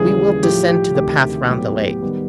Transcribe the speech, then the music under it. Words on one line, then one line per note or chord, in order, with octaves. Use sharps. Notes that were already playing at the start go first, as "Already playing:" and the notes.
"We will descend to the path round the lake."
Already playing: D#2 C#3 E3 G3 G#4
A2 F3 A3 G4
G4
D2 C3 D#3 G4
A2 F#3 B3
D#3 G3 B3